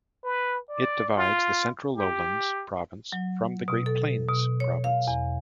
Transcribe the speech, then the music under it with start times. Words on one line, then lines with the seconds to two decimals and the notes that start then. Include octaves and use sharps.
It divides the Central Lowlands province from the Great Plains province.
0.23 B4
0.69 D5
1.16 F4
1.96 G4
3.12 F#3
3.68 B2
3.86 A4
4.29 B2
4.60 C#5
4.84 F5
5.08 E2